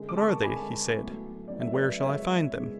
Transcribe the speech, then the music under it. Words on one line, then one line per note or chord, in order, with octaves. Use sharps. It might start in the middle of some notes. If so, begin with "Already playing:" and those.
What are they, he said, and where shall I find them?
Already playing: F#2 D3 G#3
D6
A5 C#6
F#2 D3 G#3 G#5 B5
A2 F#3 B3
A2 F#3 B3 D5
E5
B4 D5
E2 C#3 G#3 B3 C#5 E5
E2 C#3 G#3 B3